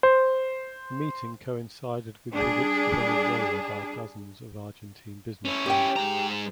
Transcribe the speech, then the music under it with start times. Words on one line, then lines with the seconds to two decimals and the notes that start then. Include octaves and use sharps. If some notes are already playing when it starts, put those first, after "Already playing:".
The meeting coincided with visits to Venezuela by dozens of Argentine businessmen.
0.03 C5
2.32 G3 D4 G#4
5.45 C#4 E4
5.66 G4 G5
5.96 G#2 A#5